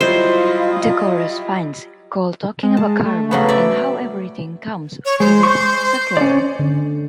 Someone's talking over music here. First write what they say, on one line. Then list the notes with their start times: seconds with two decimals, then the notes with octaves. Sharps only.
The chorus finds Cole talking about karma and how "everything comes full circle".
0.01 F#3 G3 E4 F4 C5 D#5
2.63 G#3
2.77 A5
3.05 A3
3.31 C#3 F#3 B3
3.49 D5 E5
5.05 C#5
5.20 G#3 C5
5.43 C#6 G6
6.17 C#4 D5
6.59 D3